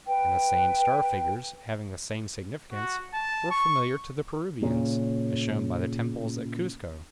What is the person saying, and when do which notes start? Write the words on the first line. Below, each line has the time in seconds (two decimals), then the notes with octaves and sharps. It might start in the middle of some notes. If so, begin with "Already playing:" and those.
And the same star figures, having the same significance, were familiar to the Peruvians, as shown by the temples at Cuzco.
0.07 B4 G5
2.72 F#4
3.14 A5
3.51 C#6
4.62 A#2 C#3